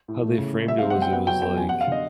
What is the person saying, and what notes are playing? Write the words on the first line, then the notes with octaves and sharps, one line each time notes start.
how they framed it was it was like,
A2
A3
C#3
A3
G3 E5
F5
C4
F#5
G3 G5
B3 F#5
F#3 G5
B3 G5
F#2 G#5
F#5
F#2
F5
D3 D#5